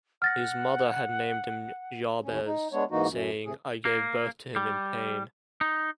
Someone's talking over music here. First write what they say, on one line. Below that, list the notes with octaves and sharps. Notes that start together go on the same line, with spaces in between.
His mother had named him Jabez, saying, I gave birth to him in pain.
F#5 F6 A6 A#6
D#2 A2 C#4
D#4
G#3 B3 D4 C#5
G#2 E3 A#3 D#4 F#4
F#2
C3 G#4
A#3
G3
D#4